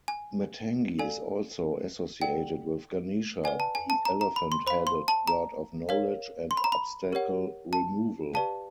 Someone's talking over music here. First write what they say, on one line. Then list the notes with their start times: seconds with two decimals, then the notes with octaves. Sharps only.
Matangi is also associated with Ganesha, the elephant-headed god of knowledge and obstacle removal.
0.08 G#5
0.99 A4 D5 F5 G#5
2.21 A4 D5 F#5 G5
3.44 B4 D5 F#5 G#5
3.60 A5
3.75 G#5
3.90 A5
4.05 A#5
4.21 A#5
4.36 B5
4.52 C6
4.67 C5 B5
4.70 F5
4.87 C6
5.08 A5
5.28 A#5
5.89 A#4 C#5 F5
6.51 C6
6.57 B5
6.64 A#5
6.72 B5
7.12 G4 A#4 C#5 F#5
7.73 A5
8.34 G4 B4 D5 F5 A5